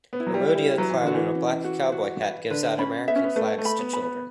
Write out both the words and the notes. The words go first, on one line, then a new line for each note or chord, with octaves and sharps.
A rodeo clown in a black cowboy hat gives out American flags to children.
B3
E4
F#3
G3
E4
G3
F#3 B4
E3
D3 F#4
E3
C#4
F#4
F#4
B4
D3 B4
C#4 B5
B3 E5
C#4
B3
A3 B4
A3
B5
B3
B5
B3